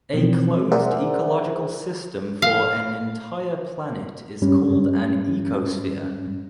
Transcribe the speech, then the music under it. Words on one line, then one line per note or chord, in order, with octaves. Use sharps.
A closed ecological system for an entire planet is called an ecosphere.
B2 E3 F3 C4
G#4 A#4 C5 D5 E5 F#5
F5
G2 G3 C#4